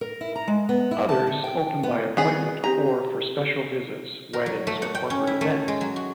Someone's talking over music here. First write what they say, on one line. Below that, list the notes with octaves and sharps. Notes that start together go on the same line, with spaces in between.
Others open by appointment or for special visits, weddings or corporate events.
A#4
E4
A#5
G#3
B3
E4
A5
D3
G5
B3
D#3 B3 C4 G#4 D5
C4 G4 G#5 A#5
A#4
F#3
A3
F#5
G5
C#4
E4
A3
G#3
F#3
F#4